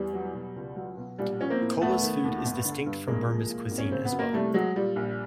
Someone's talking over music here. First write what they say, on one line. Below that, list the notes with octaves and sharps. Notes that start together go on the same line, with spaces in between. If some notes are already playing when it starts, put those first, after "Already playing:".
Kola's food is distinct from Burma's Cuisine as well.
Already playing: E2 G3
F#3
B2
C#2
F#3
B2
A#1 G3
F3 C#4
A#3 C4
A2
E1 A3 B3
D#3
D#2
G1
D3
G2
C2 G#3 A#3
F3
A#2
G#1
C#4
C#3 C4
B3
F#2
A#3
C2 G3 A3
F#3 G#3
A#2 G3
A#1